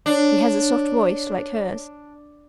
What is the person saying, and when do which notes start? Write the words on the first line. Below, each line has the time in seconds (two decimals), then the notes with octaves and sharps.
He has a soft voice, like hers.
0.06 D4 C#5 D5